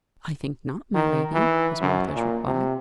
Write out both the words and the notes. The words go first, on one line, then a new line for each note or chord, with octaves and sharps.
"I think not, my lady," was Martha's reply.
D#3
E3
F#2
A#2
C3